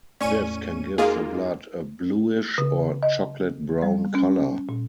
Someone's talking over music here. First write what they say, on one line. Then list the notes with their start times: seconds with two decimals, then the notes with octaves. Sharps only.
This can give the blood a bluish or chocolate-brown color.
0.21 E2 A2 A3 C#4 D5 G#5 C#6 D#7
0.98 G#3 A#3 D#4 F4 F#4 G#4 A#4 F5
2.58 C#3
3.03 D#5
3.82 G3
4.15 C#4
4.69 A#2